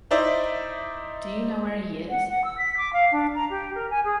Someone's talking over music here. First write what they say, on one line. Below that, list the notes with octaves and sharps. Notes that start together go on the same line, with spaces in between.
Do you know where he is?
D#4 E4 C5 D5 E5
F#5
F#5
E6
B6
D6
F5
D4
A#5
G4
A#4
G#5
G#4